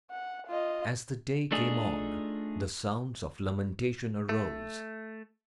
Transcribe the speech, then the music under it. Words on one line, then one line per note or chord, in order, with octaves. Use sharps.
As the day came on, the sounds of lamentation arose.
F#5
F4 D#5
A3 D4 D#4 F4 G#4
A3